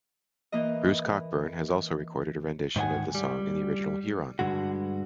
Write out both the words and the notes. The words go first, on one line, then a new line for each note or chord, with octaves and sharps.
Bruce Cockburn has also recorded a rendition of the song in the original Huron.
E3 A#3 B4 D#5
G#2 D#3 C5 F#5 G#5
G3
G2 D3 G#3 F#4